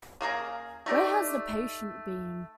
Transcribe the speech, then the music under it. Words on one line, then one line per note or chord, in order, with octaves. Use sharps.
Where has the patient been?
C#3 A#3 G#4 A#5
A3 D#4 G4 D5